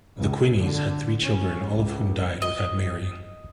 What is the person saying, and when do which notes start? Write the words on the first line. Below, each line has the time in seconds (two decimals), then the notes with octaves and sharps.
The Quineys had three children, all of whom died without marrying.
0.16 C#2
0.58 D3
1.22 C#4
1.72 C#2
2.42 D#5